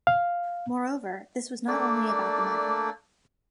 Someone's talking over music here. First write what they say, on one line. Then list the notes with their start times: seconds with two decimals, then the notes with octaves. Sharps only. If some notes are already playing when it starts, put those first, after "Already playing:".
Moreover, this was not only about the money.
0.07 F5
1.68 A3 A#3 D4 D5